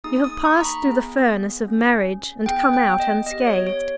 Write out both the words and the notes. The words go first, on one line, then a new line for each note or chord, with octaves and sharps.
You have passed through the furnace of marriage and come out unscathed.
A#3 D#4 G#4 D#6
D#6
C#6
A#5
B5
B3 E4 G#4
C#4 G#4
B3 E4 G#4 G5
G5
D#5
B3 G4 D#5
C#5
C#5